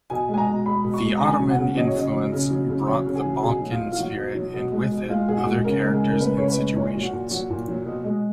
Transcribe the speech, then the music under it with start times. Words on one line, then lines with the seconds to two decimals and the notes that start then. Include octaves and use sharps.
The Ottoman influence brought the Balkan spirit and with it, other characters and situations.
0.10 B2 G#5
0.29 G#3
0.34 G#5
0.38 A#5
0.47 B2
0.66 G#3 B5
0.84 B2
0.94 C#6
1.03 G#3
1.17 A#5
1.21 C#3 G#5
1.40 F#3
1.50 F#5
1.58 C#3
1.76 F#3 D#5
1.87 C#5
1.95 C#3 D#5
2.14 F#3
2.32 C#3
2.51 F#3
2.69 C#3
2.87 F#3 C#5
3.06 C#3
3.15 G#4
3.25 F#3
3.43 B2 G#4
3.61 F#3
3.71 F4
3.80 B2
3.92 F4
3.98 F#3 F#4
4.17 B2
4.35 F#3
4.54 B2
4.72 G#3
4.91 B2
5.09 G#3 F4
5.28 B2 G#4
5.38 F#4
5.46 G#3
5.64 C#3 A#4
5.84 G#3 A#4
5.93 G#4
6.02 C#3
6.10 A#4
6.20 G#3 B4
6.37 C#3 C#5
6.48 B4
6.57 G#3
6.76 A#2 C#5
6.95 F#3
7.03 F#4
7.13 A#2
7.31 F#3 F#4
7.50 A#2
7.68 F#3
7.86 B2
8.04 G#3